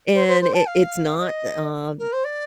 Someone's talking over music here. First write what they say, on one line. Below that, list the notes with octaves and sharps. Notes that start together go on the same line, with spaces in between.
and it it's not, uh,
C5
C5
C5
A5
F5
D#5
A#4
C5
D5